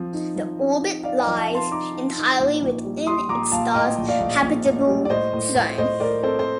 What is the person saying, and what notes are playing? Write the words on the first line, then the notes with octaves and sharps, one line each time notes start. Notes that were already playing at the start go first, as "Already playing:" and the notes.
The orbit lies entirely within its star's habitable zone.
Already playing: F3 C4
D#4
F3
C4
D#4
D#4 D5 F5
D#5 G5
F3
F5 A5
C4
A5 C6
D#4 A#5 D6
D#4
D#4
A#1
A#1
G3
G3 C6 D#6
A#1 A#5 D6
A#1 F5 A5
A2 D#5 G5
A#1
D5 F5
A#1
A#1
A2
G3
D5
A2 C5 D#5
A2
A2
A2 C5 D#5
A2 A#4 D5
C4 A4 C5
C5